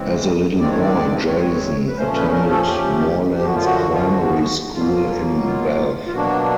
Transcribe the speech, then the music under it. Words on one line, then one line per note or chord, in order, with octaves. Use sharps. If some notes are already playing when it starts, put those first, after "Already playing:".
As a little boy, Jason attended Moorlands Primary School in Bath.
Already playing: C#3 E3 G#3 C4
G2 D#3 G#3 C4 D5
C#5
D5
C#5
B4
A#2 F3 A3 C#4 C5
B4
A#4
A4
G4
F#2 D3 F3 G4
F#4
F4
F#4
F4
F#4
B2 F#3 A#3 F4
F4
F4
B2 F#3 A#3 D4 F#4